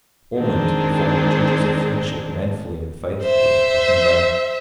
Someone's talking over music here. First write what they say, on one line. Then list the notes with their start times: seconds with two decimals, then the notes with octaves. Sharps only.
Ormond performed the duties of friendship manfully and faithfully, but in vain.
0.38 D#3 G#3 C4 D4 G#4
3.22 C5 E5